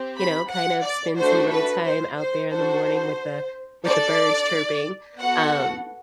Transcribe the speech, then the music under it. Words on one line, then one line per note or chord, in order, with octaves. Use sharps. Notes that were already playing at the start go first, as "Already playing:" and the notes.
you know, kind of spend some little time out there in the morning with the with the birds chirping," um,
Already playing: C4 G4
B5
F#5
D5
A3 D4 F#4 A4 C5
B4
C5
C5
D4 F#4 A4 C5
D4 A4 D5
B3 F#4 A4 F#5